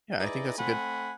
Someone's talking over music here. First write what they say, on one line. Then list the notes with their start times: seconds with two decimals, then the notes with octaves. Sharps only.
Yeah, I think that's a good
0.20 D#4 E4 G#4 B4 D5 D#5
0.57 A3 C4 F#5 G#5 B5